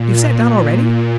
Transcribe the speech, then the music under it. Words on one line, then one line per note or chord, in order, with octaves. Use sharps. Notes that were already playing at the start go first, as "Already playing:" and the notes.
You've sat down already?
Already playing: A#2
A#2